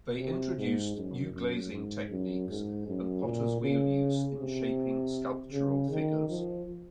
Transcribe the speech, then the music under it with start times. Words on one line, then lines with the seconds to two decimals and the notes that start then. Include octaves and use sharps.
They introduced new glazing techniques and potter's wheel use in shaping sculptural figures.
0.19 C3
0.58 G#2
0.96 F#2
1.34 F#2
1.71 G#2
2.10 F#2
2.49 G#2
2.87 F#2
3.24 A#2
3.62 C#3
4.39 C3
5.52 C#3
5.90 D#3
6.29 F3